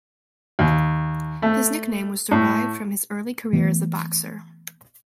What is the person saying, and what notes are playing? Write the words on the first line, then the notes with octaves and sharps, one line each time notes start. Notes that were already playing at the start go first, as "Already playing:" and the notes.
His nickname was derived from his early career as a boxer.
D#2
A3
A2
E3 A3 B3